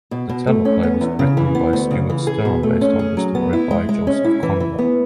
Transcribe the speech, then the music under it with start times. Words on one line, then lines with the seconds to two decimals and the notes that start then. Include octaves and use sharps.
The teleplay was written by Stewart Stern based on the story by Joseph Conrad.
0.11 B2
0.29 B2
0.47 A3
0.65 C#4
0.83 B3
1.01 E2
1.19 C#3
1.37 E3
1.55 B3
1.73 D2
1.91 C#3
2.10 E3
2.27 G#4
2.45 B2
2.63 A3
2.81 C#4
2.99 G#4
3.17 F#3
3.35 B3
3.53 E4
3.71 G#3
3.89 G#3
4.07 C#4
4.24 E4
4.43 E3
4.60 E3
4.78 B3